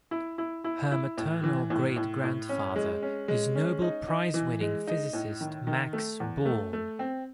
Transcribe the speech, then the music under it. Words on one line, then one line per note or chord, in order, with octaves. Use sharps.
Her maternal great-grandfather is Nobel prize-winning physicist Max Born.
E4
E4
E4
E4
A2
E3
A2
A2
A2
C#4
G#3
C#4
G#3
C#4
D#4
D#4
E3
G#3
D#4
A2
D#3
D#3
A3
E2
A3
A3
C4